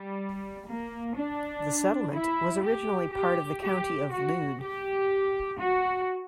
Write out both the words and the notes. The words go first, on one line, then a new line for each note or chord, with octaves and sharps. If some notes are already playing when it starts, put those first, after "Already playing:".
The settlement was originally part of the County of Loon.
Already playing: G3
A#3
D4
E4
G4
G4
G4
F#4
G4
F#4